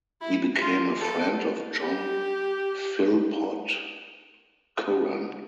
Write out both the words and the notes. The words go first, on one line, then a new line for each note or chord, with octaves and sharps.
He became a friend of John Philpot Curran.
E4
F4
A4
G4